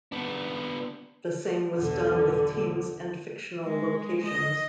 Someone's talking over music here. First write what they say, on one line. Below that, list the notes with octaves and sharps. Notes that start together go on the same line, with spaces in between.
The same was done with teams and fictional locations.
B3 D4
B1 E2 D3
G#3
D#5